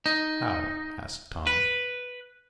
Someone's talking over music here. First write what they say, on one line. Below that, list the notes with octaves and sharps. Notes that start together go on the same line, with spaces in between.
"How?" asked Tom.
D#4
B4